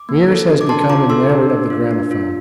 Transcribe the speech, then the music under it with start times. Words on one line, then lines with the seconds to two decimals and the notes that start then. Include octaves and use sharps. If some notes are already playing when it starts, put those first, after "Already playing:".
Meares has become enamoured of the gramophone.
Already playing: D6
0.09 A#3
0.29 A4
0.49 D4
0.61 D6
0.69 D4 A5 C6
0.89 F4 A#5 D6
1.10 A4 C6 E6
1.30 D4
1.50 D4
1.70 F4
1.91 D4
2.11 F4